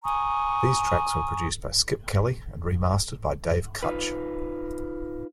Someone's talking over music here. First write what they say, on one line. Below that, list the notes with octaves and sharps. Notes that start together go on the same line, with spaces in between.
These tracks were produced by Skip Kelly and remastered by Dave Kutch.
G#5 A#5 C#6 D#6
D#4 F4 B4